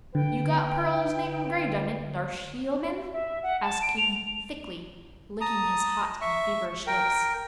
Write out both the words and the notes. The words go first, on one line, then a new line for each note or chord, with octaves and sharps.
"You got Pearl's name 'graved on it, Darcy, ole man?" asked King, thickly, licking his hot and feverish lips.
D3 B4 G5
E5
F#5
A5
D7
F7
A5 A#5 D#6
E5 C#6
A#4 G5